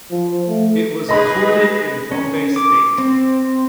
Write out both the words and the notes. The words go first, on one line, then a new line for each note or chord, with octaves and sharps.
It was included in Bombay state.
F3
A3
D#4 G#4 B4 D#5 B5 A#6
C#4
D6
C4